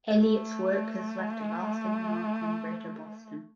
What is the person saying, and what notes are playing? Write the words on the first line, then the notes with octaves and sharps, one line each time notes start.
Eliot's work has left a lasting mark on greater Boston.
A3